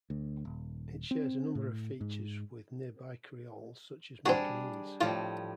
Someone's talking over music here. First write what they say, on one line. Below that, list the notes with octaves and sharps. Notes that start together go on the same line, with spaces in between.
It shares a number of features with nearby creoles such as Macanese.
D2
D#1
C4
A2
G#2
G3 C4 D4 F#4 G#4
A2 F3 G3 F4